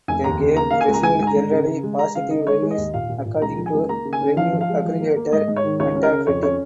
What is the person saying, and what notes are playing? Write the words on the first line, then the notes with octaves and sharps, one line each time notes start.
The game received "generally positive reviews" according to review aggregator Metacritic.
F1 G#5
D#2 A#5
C#3
A#3 A#5
A#3 F5
G#5
C#2
A#5
G#2 G#5
G#2 G#5
A#5
G#2
C#3
C#3
G#3
G#3 A#5
C#3 F5
D#4 D#5
G#3 C#5
G#3
D#5
D#2
A#2 F5
A#2
A#2
C#2 A#5
F3
G#5
C#2
A#3 A#5
C#3
G#5
C#4
F3 F5
F3
F5
G#3
F3
A#3
A#3
G#2 D#5
G#2
C#5
D#3
C#2 C#5
C#4
A#4
C#3
F2 C#5
C#4 C#5